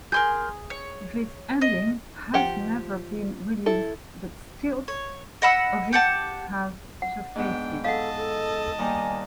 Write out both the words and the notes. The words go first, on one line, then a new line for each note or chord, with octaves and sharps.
This ending has never been released, but stills of it have surfaced.
G#4 A#4 C6 G6
C#5
D#5
F3 G4 F#5 G5
E4 A4
C#5
D#5 F#5 B5 E6
G4 F#5 A5
F#5
G#2 B3 D4 G5
A4 D#5 F5 F#5 A5
A4
D#2 G3 G#5 A#5